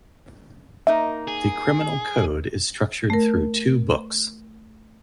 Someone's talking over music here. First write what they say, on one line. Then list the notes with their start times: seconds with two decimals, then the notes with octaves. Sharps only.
The Criminal Code is structured through two books.
0.87 A#3 D#4 A#4 E5
1.28 G#4
3.10 A3 A#4